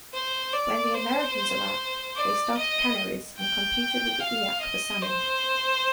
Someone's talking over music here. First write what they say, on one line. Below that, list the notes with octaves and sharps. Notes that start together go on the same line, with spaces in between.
When the Americans arrived they started canneries and competed with the Eyak for salmon.
C5
D5
C5
D5
D#5
G5
F5
D#5
C5